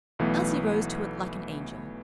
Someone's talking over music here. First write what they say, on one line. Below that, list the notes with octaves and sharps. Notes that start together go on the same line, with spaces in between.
Elsie rose to it like an angel.
B1 E3 A3 B3